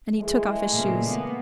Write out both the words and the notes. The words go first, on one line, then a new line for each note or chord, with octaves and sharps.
And he took off his shoes.
E3 G#3 A3
A#2 C#3
A#3 B3